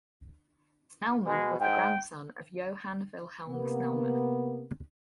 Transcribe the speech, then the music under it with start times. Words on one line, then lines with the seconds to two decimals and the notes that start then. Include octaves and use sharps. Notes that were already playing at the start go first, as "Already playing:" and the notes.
Snellman was the grandson of Johan Vilhelm Snellman.
1.26 B2 G#3
1.60 G#2 G5
3.48 C3 A#3 B3